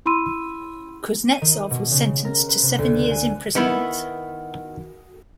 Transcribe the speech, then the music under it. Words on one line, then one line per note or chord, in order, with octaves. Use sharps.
Kuznetsov was sentenced to seven years imprisonment.
E4 B5 C6 E6 D#7
D#7
D#3
B2
C#3
A#4
B4
C3
D2
G#5
D#3 B3 E4